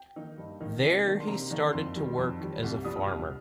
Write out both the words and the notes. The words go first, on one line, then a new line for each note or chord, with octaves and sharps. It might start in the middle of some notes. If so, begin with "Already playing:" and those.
There he started to work as a farmer.
Already playing: G5
D#3 A#3 D#4
G2
D#3 A#3 D#4
C3
D#3 A#3 D4
C6
C3 A#5
D#3 A#3 D4
F2 C6
D#3 G3
F2
D#3 G3
C2
A#2 G3 D4 D#6
C2 F6